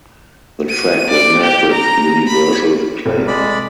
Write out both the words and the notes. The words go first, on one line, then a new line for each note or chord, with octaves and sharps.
The track was met with universal acclaim.
D#7
D5
G4
A#5
B5
F1
G#3 D5 B5